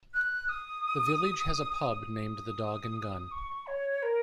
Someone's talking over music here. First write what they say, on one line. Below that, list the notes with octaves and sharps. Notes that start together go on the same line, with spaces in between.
The village has a pub named The Dog and Gun.
F#6
D#6
D#6
C#6
C#5
A#4